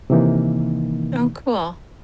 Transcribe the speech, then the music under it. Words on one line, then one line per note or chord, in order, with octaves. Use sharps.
Oh, cool.
C3 D#3 E3 A#3 D#4